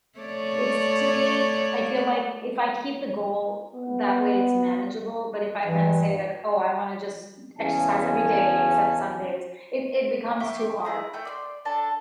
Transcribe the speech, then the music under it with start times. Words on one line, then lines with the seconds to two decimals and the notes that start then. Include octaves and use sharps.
it's to me, I feel, like, if I keep the goal that way, it's manageable, but if I kinda say, like, "Oh, I wanna just exercise every day except Sundays," it it becomes too hard.
0.19 A3 C#5 D5
3.75 B3
5.66 G2 E3
7.59 E2 C#3 C#4 G#5 A5
10.40 E5 G5 C#6 D6
10.85 E4 G#4 A#5
11.13 A3 G5
11.25 D5 E5 C6
11.65 D4 A4 A5